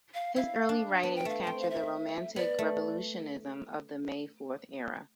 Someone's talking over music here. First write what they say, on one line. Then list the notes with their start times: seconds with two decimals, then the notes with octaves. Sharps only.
His early writings capture the romantic revolutionism of the May Fourth era.
0.14 F5
0.36 E4 F5
0.69 D4
1.03 B3 A5
1.16 G5
1.25 A3 F5
1.42 G5
1.47 C4
1.60 F5
1.70 E5
2.36 B3 D5
2.59 A3